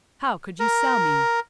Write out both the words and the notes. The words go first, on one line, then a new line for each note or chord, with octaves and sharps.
How could you sell me?
A#4